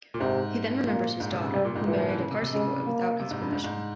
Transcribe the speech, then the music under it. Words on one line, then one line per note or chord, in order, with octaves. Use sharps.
He then remembers his daughter, who married a Parsi boy without his permission.
A#2
G#2 C3
A#2 A#3
G#2
C3
C#3
C3 G3
A#2
G#2
A#2 E3
F3
E3
C#3
C3
C3
C#3 G#3
A#3
C3
G#2
G2
G#2
G#2